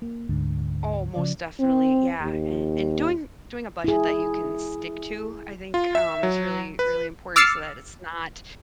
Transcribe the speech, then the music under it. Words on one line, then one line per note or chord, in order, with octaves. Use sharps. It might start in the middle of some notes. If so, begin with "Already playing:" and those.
Oh, most definitely, yeah. And doing doing a budget that you can stick to, I think, um, is really, really important so that it's not
A#3
D2 G#2 D3
C#3 F3 D5
C4
D#2
E4 G#4
F4
E5
F#3
B4
D6 E6 F6 A6 C7 C#7